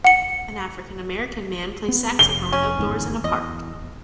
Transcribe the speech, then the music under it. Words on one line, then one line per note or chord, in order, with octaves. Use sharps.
An African American man plays saxophone outdoors in a park.
F#5 C#7
B3
F1 G7
C#4
G1 E2 G#2
E2 D#5